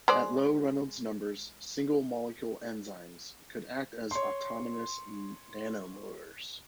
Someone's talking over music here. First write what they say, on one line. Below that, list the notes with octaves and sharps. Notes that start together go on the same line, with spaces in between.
At low Reynold's numbers, single molecule enzymes could act as autonomous nanomotors.
G#3 C5 D5
C#5 C6